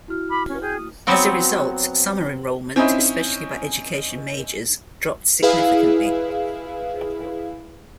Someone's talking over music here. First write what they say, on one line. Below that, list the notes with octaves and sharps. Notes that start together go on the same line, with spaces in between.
As a result, summer enrollment, especially by education majors, dropped significantly.
E4 F#4 F6
B5 D6
C#4
G#4 G5 G6
D#6
F#3 B3 C4 F#4
C4 C#4 D#4 E4
E4 G#4 B4 F5